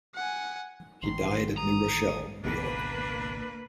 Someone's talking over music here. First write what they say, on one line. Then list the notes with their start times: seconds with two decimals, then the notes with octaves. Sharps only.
He died at New Rochelle, New York.
0.16 F#5 G#5
1.03 A1 D#3 C6
1.58 A#5 D#6
2.43 G#1 C#2 B2 A#3 D4 B4